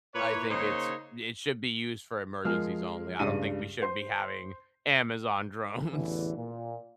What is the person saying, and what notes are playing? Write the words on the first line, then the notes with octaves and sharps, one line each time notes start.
I think it's it should be used for emergencies only. I don't think we should be having Amazon drones.
A#2 E4 B4 C#5
C#3 A#3 D#4 C5 C#5 C6
F3 G#3 G#4 A#4 F6
C#2 G2 D5 D#7
C5 C6
A1 E2 D3 E3
A#2